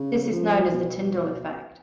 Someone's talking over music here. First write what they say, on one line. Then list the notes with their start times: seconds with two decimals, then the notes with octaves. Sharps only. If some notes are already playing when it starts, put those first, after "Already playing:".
This is known as the Tyndall Effect.
Already playing: C#3
0.32 F3
0.73 B2